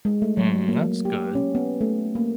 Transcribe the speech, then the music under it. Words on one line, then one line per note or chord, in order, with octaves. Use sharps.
Mm, that's good.
G#3
A3
F#3
A#3
G4
C#4
B3
A3
A#3